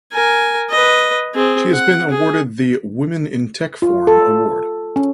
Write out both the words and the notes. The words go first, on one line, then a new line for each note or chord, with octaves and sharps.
She has been awarded the "Women in Tech forum" award.
A#4 G#5
B4 D#5
C4 G#4
F#5
G#4
F4
A4
C#4